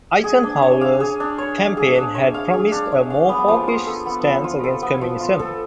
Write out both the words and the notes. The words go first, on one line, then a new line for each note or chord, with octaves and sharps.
Eisenhower's campaign had promised a more hawkish stance against communism.
G#4
D4
C#5
F5
G#4
D4
C#5
F5
G#4
D4
C#5
F5
G#4
D4
C#5
F5
B3
F3
F4
A4
B3
F3
F4
A4
B3
F3
F4
A4